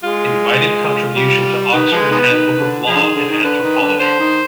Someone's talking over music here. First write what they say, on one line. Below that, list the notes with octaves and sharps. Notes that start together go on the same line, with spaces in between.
Invited contribution to Oxford Handbook of Law and Anthropology.
G#3 F4
F4
G3
D#3 B4
F3 G#3
D#3 G#3 B3
D#3
D3
F3 G#4
D3
D#3
D3
D#3
D3 B4
D#3
D3
D3 C5
D#3